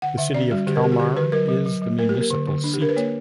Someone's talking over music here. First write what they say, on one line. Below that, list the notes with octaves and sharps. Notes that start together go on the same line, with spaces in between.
The city of Kalmar is the municipal seat.
D3 F#5
D3 E5
C#4 D5
G3 F#4
D3 G4
A#4
D3 G4
F#4
D3 G4
D3 B4
F#3 A#4
F#3
F#3
F#3
A#3 A#4
A#3 G4
A#4
D3
D3
D4
G4
D4 A#4
B4
A#3 C#5